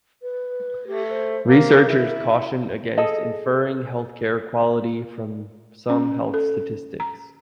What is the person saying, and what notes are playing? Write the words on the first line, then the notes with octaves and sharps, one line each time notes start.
Researchers caution against inferring healthcare quality from some health statistics.
B4
A3 G4
C5
A#3 A#4
E4
G#4 A4 D#5
C#4
A4
A#5